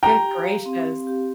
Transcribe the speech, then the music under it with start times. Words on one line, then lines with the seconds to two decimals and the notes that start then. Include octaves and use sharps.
Good gracious.
0.03 G4 G5 A#5
0.24 G4
0.44 F5
0.66 C4
0.86 G4
1.07 G4